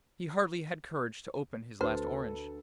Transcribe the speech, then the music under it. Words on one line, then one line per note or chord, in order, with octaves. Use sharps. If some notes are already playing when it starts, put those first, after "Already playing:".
He hardly had courage to open his last orange.
D2 F#4 A4 B4 C5